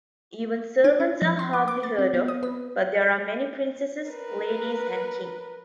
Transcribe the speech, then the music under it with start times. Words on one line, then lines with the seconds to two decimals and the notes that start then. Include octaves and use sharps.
Even servants are hardly heard of, but there are many princesses, ladies and kings.
0.84 D4
1.00 C#4
1.22 F3
1.39 C6
1.53 D6
1.68 D6
1.83 A6
1.99 C4
2.14 B3
2.28 D#6
2.43 B4
4.10 A#4 B4